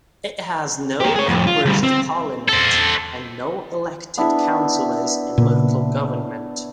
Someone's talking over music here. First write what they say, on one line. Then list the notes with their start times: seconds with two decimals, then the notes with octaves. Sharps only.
It has no members of parliament and no elected councillors in local government.
1.00 A#3 G4
1.16 G#4 C#5
1.29 F2 A2
1.47 F4
1.65 D2 G3
1.83 C4
2.48 A4 C5
4.17 B3 D4 E4
5.38 A#2 C#3